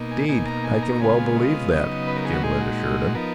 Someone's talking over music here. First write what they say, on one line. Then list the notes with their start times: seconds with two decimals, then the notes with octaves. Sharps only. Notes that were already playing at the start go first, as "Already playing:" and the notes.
"Indeed, I can well believe that," Gimblet assured him.
Already playing: B2 A#3 D#4
0.11 G#5
0.29 B2 A#3 D#4 G#5
0.46 A#5
0.64 G#5
0.83 A#5
1.00 C#3 G#3 B3 F4 G#5
1.36 D#5
1.71 C#3 F#3 B3 D#4
2.07 B4
2.17 A#4
2.25 G#4
2.33 F#4
2.43 A#2 G#3 D#4 G#4
2.60 F#4
3.15 F3 B3 D#4 A#4